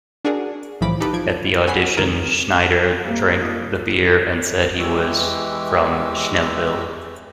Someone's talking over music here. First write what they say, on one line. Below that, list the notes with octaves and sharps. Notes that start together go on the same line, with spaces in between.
At the audition, Schneider drank the beer and said he was from Snellville.
D4 F#4 G#4 A#4 D5
C2 A2 E3 F3 B5 D6
D#4 G4 A4 B4 D6
F3 G#6 D7
C#5 F#5 G#5 B5 C7
C#2 D#3 A#4
G2 A#3
D4 D#4 F4
E3 G#3 G4 D#5 C#6 E6